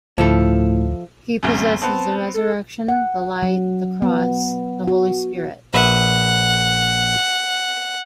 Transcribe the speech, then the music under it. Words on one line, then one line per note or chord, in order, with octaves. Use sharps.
He possesses the Resurrection, the Light, the Cross, the Holy Spirit.
D2 A2 F3 E4 A4
G1 C2 F#2
B3 C4 A5
A4
F#5
F#3
B3
F#4
A#1 B4 E5 F#5